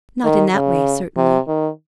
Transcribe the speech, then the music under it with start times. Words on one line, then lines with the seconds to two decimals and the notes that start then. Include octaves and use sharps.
"Not in that way, certainly."
0.24 D#3
0.54 C#3
1.17 C3
1.48 D#3